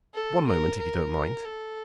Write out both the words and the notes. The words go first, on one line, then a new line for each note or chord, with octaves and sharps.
"One moment, if you don't mind."
A4
A#4
A#4
A4